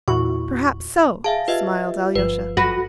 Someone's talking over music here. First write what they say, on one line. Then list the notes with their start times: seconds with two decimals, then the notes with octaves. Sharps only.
"Perhaps so," smiled Alyosha.
0.08 E2 A#2 E4 F#4 C#6
1.24 G#4 E5 F5 A5
1.48 F4 G4 B4 D#5 E5
2.15 G1 F3 B4
2.57 F#4 B4 A#6